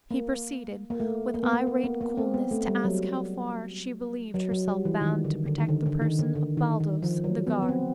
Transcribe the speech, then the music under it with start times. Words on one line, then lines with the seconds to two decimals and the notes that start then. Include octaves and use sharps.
He proceeded, with irate coolness, to ask how far she believed herself bound to protect the person of Baldos, the guard.
0.11 A#3
0.90 A#3
1.00 A3
1.34 A#3
1.43 B3
1.53 A#3
1.67 B3
1.84 A#3
2.01 A#3
2.17 C4
2.34 B3
2.51 A3
2.68 G3
2.84 F#3
4.34 F#3
4.52 F#3
4.68 G3
4.85 E3
5.01 D#3
5.24 D3
5.46 D3
5.58 D#3
5.68 D3
5.86 D3
6.02 D#3
6.19 D3
6.35 D3
6.57 D#3
6.80 D#3
7.02 F3
7.24 F#3
7.47 B3
7.63 B3
7.69 C4